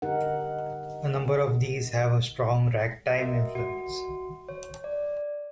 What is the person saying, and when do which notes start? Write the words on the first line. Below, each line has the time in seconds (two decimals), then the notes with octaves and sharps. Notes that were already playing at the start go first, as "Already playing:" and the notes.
A number of these have a strong ragtime influence.
0.02 D3 D#4 G4 A#4 F#5
3.18 F#4 A#4 D#5 E5
3.55 F#4
4.49 C#5
4.84 D5